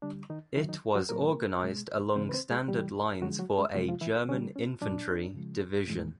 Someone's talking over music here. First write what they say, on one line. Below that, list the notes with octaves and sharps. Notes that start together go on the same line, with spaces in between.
It was organized along standard lines for a German infantry division.
D3 G3 D4
D#3 D#4
D3 E3 F#3 E4
D#3 D#4
F#3 F#4
A2 F#3 A#3 A#4
B2 G#3
C#3 E3 G#3 C4 C5
B4
C4 C5
G#3 G#4
C3 E3 G3 G4
D3 F3 F#3 G#3 F#4
F#3 F#4
G#3 G#4
C3 F3 F#3 G#3 F#4
F3 F4
E3 E4
D3 G3 C#4
C#4
A#2 F#3 D4
C#3 F3 G#3
A2 E3 G#3